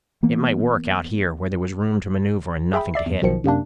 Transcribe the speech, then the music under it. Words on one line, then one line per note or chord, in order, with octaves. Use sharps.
It might work out here where there was room to maneuver and nothing to hit.
E3 A#3 B3
G#4 E5 G5 B5
D5 E5 C7
E2
B1 B2 D#3 F3 C#7
F#2 C3 A#3 D4